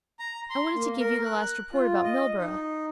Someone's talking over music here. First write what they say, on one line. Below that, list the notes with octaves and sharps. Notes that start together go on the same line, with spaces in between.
"I wanted to give you the last report about Milburgh."
A#5
C6
A#3
A#4
F#6
F4
D#5
D#4